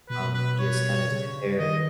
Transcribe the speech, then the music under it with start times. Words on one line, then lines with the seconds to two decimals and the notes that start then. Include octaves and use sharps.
um, to just kind of sit there,
0.09 B2 B4
0.34 B4
0.59 C#5
1.09 C#3
1.58 D#3 D#5